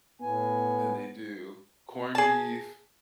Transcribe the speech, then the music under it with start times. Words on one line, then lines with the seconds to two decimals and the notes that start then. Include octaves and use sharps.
And they do corned beef
0.21 A2 B3 G#5
2.15 G#4 A5